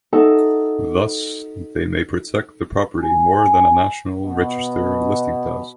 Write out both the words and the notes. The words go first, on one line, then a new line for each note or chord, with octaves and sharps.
Thus, they may protect the property more than a National Register listing does.
D#4 F#4 A4 E5 A5
G#5
B2